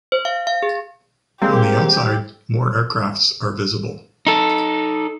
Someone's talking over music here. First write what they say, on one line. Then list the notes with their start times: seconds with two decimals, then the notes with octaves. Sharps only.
On the outside, more aircrafts are visible.
0.12 C5
0.25 F5
0.47 F5
0.63 G#4
1.42 G3 G#3 A#3 C4 G4 G#4
4.27 D#4 A4